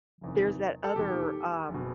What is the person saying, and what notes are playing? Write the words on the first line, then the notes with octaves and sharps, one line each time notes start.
there's that other, um
F#1 E2 C3 D#3
A4
E1 D#2 D#3 G4
F#1
B2